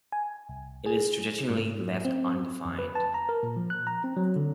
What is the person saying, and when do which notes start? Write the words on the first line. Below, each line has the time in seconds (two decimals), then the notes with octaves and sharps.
It is traditionally left undefined.
0.12 G#5
0.49 C2
0.86 G#4
1.49 G#2
2.05 C4
2.65 F2
2.79 B4
2.95 A5
3.14 A#5
3.29 A#4
3.43 A#2
3.57 F3
3.70 F#6
3.87 A#5
4.04 C4
4.17 F#3
4.36 D3